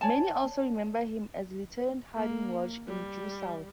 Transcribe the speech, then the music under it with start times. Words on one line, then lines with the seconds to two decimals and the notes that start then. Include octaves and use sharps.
Many also remember him as Lieutenant Harding Welsh in "Due South".
0.01 C#5 D5 G#5 A5
2.16 A#3
2.87 G3